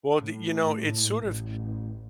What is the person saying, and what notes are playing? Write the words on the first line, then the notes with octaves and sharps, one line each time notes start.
Well, d it's sort of
A2
A1